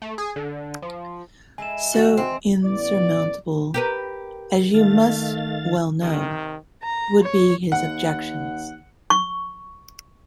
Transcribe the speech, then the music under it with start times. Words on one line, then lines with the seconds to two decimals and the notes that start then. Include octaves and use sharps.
So insurmountable, as you must well know, would be his objections.
0.02 A3
0.18 G#4
0.36 D3
0.82 F3
1.58 G#3 E4 A4 G#5 E7
1.94 D#3 E3 F#4
2.18 C4
2.64 A1 B3 E4 D5
3.74 G4 A#4 B4
4.74 D#3 A3 F5 A6
6.01 C3 D#3
6.84 A#5
7.23 C#5
7.72 D#2 F#5
9.10 C#6